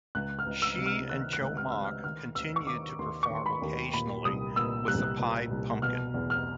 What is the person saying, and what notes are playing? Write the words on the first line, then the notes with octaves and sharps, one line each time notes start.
She and Joe Mock continued to perform occasionally with The Pied Pumkin.
C#2 F#6
F6
C#2
E6
C3
F6
D#3 F#6
F#6
C#2
F6
C#2 E6
F6
D#3 F6
D#2 E6
C#6
D#3 D6
D#2 C6
C#6
D#3 C6
B5
D#2
A#2 B5
C2 D#6
A#2 E6
C2 F#6
A#2
C2
B2 F6
E2
F6